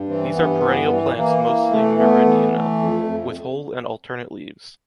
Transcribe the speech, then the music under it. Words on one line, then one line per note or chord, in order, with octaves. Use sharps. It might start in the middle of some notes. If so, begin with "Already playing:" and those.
These are perennial plants mostly meridional, with whole and alternate leaves.
Already playing: G2
E3 C4
G2 B3
E3
E3
E3 A#3
E3
A3
A3 B3
E3
A3
F2
F2